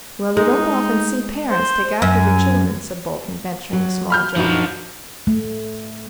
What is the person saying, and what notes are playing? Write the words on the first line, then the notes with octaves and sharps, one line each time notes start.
"Well, you don't often see pairents take after their children," said Bolton, venturing a small joke.
G#3 D#4
C5
F#2 G#5
F#3
B5 F6 G6
F#2 F3 D4 D#4 F#4
A3